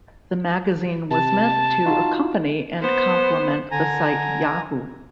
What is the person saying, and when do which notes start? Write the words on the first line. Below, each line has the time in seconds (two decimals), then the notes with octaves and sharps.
The magazine was meant to accompany and complement the site Yahoo!
1.11 C3 A5
1.86 D#4 F4 F#4
2.80 B3 C5
3.71 D3 G#5 A#5